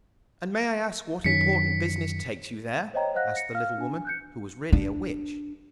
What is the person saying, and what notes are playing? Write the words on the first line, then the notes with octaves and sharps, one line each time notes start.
'And may I ask what important business takes you there?' asked the little woman, who was really a witch.
F#2 D#3 C#4 B6 C#7
C5 C#5 D#5 G5 A#5
C5 D#5 F5 F#5 F#6 A#6
A#6 C#7
F5 F6
D4 G#5
F#6 G6 C#7
D4